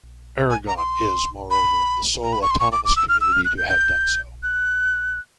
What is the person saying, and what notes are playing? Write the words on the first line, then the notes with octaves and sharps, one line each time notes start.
Aragon is, moreover, the sole Autonomous Community to have done so.
G#5
A#5
C6
B5
A#5
B5
C#6
C6
C#6
D6
D6
E6
F6
E6
F6
F#6
G6
G6
F#6